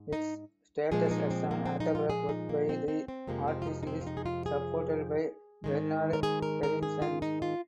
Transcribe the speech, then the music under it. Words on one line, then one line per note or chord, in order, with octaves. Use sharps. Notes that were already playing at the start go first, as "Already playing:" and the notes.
Its status as an autograph work by the artist is supported by Bernard Berenson.
Already playing: G#2
D#4
A#2 F3 G#3 G#4
D#4
C4
A#3
C4
D#4
F4
G#4
D#4
A#3
C4
C4
C4
F2 C3 F3 G#3 A#3
C4
F4
D#4
D#4
C4
F4
D#4
G#4
F4
G#4
G#2 D#3 G#3
A#4
G#4
A#4
A#4
G#4
F4
D#4
F4